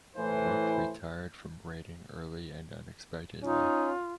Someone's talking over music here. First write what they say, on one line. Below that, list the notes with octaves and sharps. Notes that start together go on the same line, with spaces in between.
Rook retired from writing early and unexpectedly.
A2 E3 C5
C#4 D#4 F4